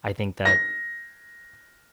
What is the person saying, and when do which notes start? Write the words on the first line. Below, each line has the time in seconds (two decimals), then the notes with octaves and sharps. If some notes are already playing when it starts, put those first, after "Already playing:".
I think that
0.45 A#6